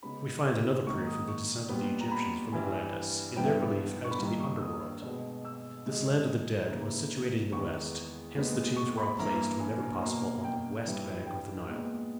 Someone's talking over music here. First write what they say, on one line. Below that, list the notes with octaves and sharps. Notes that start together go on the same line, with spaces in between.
We find another proof of the descent of the Egyptians from Atlantis in their belief as to the "under-world." This land of the dead was situated in the West--hence the tombs were all placed, whenever possible, on the west bank of the Nile.
C#3 G#3 B3 B5
G#2 D#3 A#3 C#6
D#6
C#6
A#2 G3 B3
A#5
B5
G2 E3 G3 G#5
G2 E3 G3 B3 G5
E5
G5
C#6
B5
G2 D#3 G3 A#3 A#5
C#6
E6
D#6
B2 G#3 B3
E6
G#2 D#3 G#3
C#3 E3 A#3
E2 D#3 G#3 B3 C#6
A#2 G#3 B3
C#6
B5
G2 E3 A#3 A#5
G#5
B2 A#3
G5
G2 E3 G3
G5
A#2 G#3 B3